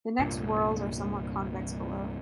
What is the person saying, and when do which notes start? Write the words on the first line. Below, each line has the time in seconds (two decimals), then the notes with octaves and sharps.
The next whorls are somewhat convex below.
0.19 C2 G2 A#2